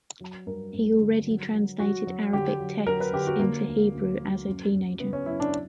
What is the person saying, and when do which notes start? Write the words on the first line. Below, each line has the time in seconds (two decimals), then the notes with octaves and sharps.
He already translated Arabic texts into Hebrew as a teenager.
0.21 F#3
0.47 G2 A#4
0.73 G2
1.00 D3
1.27 F#3
1.54 F#3
1.80 F#3 F#4
2.07 F#3
2.33 D3 G4
2.60 F#3
2.87 F#3 A#4
3.00 B4
3.13 D3 G4
3.27 F#4
3.40 D3 A#3
3.67 D2
3.93 D2
4.20 F#3
4.47 F#2
4.73 F#2
5.00 C#3 B3
5.13 C#4
5.26 F#2 E4
5.40 D4